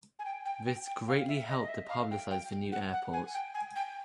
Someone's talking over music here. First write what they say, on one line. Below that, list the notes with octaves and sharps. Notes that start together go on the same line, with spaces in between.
This greatly helped to publicize the new airport.
G#5
G5
G5
G5
G5
F5
E5
D#5
D#5
E5
F5
G5
G5
F#5
F#5
G#5
G5
G#5
G5